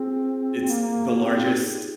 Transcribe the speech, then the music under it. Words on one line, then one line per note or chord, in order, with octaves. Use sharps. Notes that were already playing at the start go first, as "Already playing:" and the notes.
It's the largest
Already playing: C4 F4 G#4
A#3
C4 D#4 G4
F4